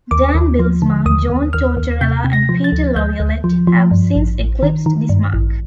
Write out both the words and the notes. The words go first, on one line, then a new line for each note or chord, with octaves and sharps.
Dan Bylsma, John Tortorella and Peter Laviolette have since eclipsed this mark.
D#2 D6
D#2
F3
D3
D#2 D#6
D#2
D#2 F6
D#2
C3 G6
C3
A#6
F3
A6
D2
D2 G6
D2
F3
F3
G2
A1
A1
D#3
D#3
G2
A1